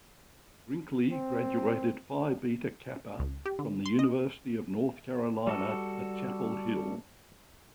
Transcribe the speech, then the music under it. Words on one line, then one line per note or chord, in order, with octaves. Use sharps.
Brinkley graduated Phi Beta Kappa from the University of North Carolina at Chapel Hill.
C4
C#2
G4
D3
C6
D#5
G3 F#4 A4